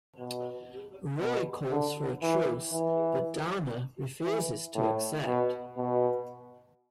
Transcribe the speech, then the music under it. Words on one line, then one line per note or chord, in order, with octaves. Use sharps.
Roy calls for a truce, but Dana refuses to accept.
B2
B2
D3
E3
E3
E3
A2
B2
B2